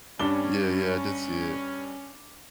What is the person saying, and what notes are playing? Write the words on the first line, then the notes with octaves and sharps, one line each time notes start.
Yeah, yeah, I did see it.
G2 G3 C#4 D4 G7